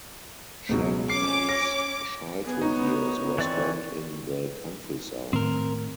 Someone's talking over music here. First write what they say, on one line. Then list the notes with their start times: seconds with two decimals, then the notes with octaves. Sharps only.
Shen Fan’s childhood years were spent in the countryside.
0.69 C#2 B2 F#3
1.10 C#4 C#5 D6 C7
1.49 A#6
2.45 B3 G#4
2.62 D#4 C#5
3.38 E3 C4 D5 C#6
5.33 A2 D#3 A3 C4 A#4